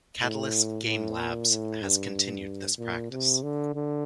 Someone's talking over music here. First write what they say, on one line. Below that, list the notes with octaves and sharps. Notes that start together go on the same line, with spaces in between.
Catalyst Game Labs has continued this practice.
A2
A2
A#2
A2
G2
A#2
C3
D3
D3